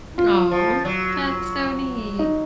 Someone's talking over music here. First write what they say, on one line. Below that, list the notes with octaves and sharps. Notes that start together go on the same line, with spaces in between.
Aw. That's so neat.
F4
F3
F#3
D#4